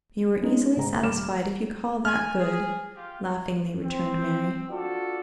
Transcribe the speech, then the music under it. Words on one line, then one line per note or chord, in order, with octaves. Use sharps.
"You are easily satisfied if you call that good," laughingly returned Mary.
G#3 B3 C#4 D#4
G#2 D3 G#4 A#5
D#1 B5 D6 F6 E7
G#5 F6
G#4
F4 G4
C4
D4 F4 F#4 A4 D5